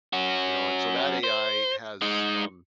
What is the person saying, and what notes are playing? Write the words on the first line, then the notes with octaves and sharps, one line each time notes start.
you know? And so, that AI has, um
C#4 F#4
C5
G#3 D#4